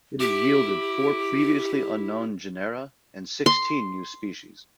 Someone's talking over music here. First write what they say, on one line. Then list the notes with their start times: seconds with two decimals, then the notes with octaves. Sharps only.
It has yielded four previously unknown genera and sixteen new species.
0.20 E4 G4 D6
3.46 C6